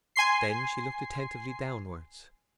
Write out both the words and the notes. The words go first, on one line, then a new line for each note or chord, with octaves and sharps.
Then she looked attentively downwards.
G#5 C6 C7